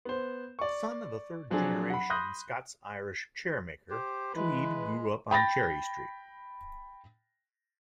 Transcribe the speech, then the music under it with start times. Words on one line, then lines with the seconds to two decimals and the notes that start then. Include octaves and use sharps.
Son of a third-generation Scots-Irish chair-maker, Tweed grew up on Cherry Street.
0.05 B3 C5
0.59 D5 C#6
1.50 F3 F#3 C4 D4 G#4
1.90 F#5 B5
2.10 B5 C6 D#6 F#6 G6 A#6
3.90 G4 C5
4.36 E3 G#3 B4
5.31 G5 B5 A6 A#6